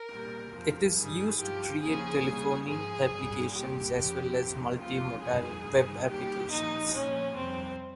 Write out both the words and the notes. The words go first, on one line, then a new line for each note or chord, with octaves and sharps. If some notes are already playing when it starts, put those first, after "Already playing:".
It is used to create telephony applications as well as multimodal web applications.
Already playing: A#4
A#2 G3
F2 C3 F3
G2 D#3 G3 G#4
G2 F3 G4
D#2 C#3 F3 G#4
D#2 C#3 G3
G#2 F3 G#4
G2 G3
A#2 G3 G4
F2 C#3 F3
F2 C3 D#3
D#2 C#3 F3 F4
F2 D#3 G3 G#4
G2 D#3 G3
D#2 D#3 G3 G4
A#2 F3 D#4
A#2 F3 C#4
F2 C3 G3 C4